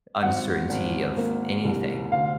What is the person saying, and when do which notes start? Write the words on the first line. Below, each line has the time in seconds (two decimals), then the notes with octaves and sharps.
uncertainty of anything
0.23 G#1 F#5
0.70 G#1
1.17 A#3
1.64 C2
2.12 D2 F5